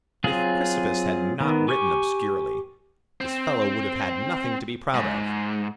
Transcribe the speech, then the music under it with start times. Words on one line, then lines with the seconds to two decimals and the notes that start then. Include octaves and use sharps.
If Chrysippus had not written obscurely, this fellow would have had nothing to be proud of.
0.24 F#3 C4 F4 G#4
1.40 D#3 B3
1.68 G4 G#5 C#6
3.21 C4
4.94 G#2